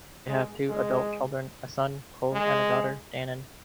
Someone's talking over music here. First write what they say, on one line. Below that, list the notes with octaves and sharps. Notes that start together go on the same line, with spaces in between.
They have two adult children: a son, Cole, and a daughter, Dannon.
G#3
G#3
G#3